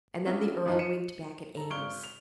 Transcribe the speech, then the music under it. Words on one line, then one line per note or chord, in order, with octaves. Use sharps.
And then the earl winked back at Eames.
G3 B3 C#4 D4 F4 E5
F#2 E3 D#4 F4
C#7 D#7 E7
A4 A#5
G#1 C#6 F6 D7 G7
F7